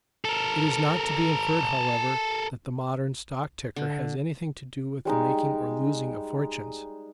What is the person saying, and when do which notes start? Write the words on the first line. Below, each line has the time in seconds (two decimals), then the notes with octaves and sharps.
It is not to be inferred, however, that the modern stock ticker has anything to do with the making or losing of fortunes.
0.25 A4 A#4
3.76 D3
5.05 G3 G#3 D#4